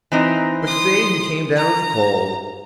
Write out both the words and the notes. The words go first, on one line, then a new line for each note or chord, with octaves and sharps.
But today he came down with a cold.
E3 C4 D#4
C6 D#6
A#5